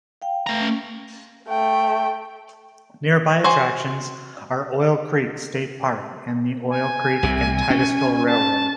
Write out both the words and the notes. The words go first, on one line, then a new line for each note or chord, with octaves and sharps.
Nearby attractions are Oil Creek State Park and the Oil Creek and Titusville Railroad.
F5 G5
A3 A#5
C#4
A3 G5
F#4 C5 G#5
G#5
C2 C3
C#4
A5